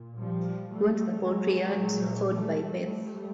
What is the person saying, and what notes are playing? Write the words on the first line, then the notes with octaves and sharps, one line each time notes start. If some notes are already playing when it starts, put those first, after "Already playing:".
He went to the poultry yard, followed by Beth.
Already playing: A#2
F3 G3
G3 A3
F#3 G#3
A#2
G3 A3
G3 A3